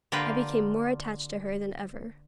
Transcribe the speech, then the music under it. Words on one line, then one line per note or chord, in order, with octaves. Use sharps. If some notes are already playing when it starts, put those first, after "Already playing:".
I became more attached to her than ever.
D3 A#3 F4 G4 A#4 B4